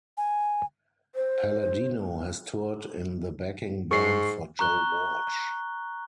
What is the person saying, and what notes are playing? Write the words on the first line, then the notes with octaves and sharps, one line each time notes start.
Palladino has toured in the backing band for Joe Walsh.
G#5
C5
G#2 C#6 C7
A#5 C#6 F#6 G7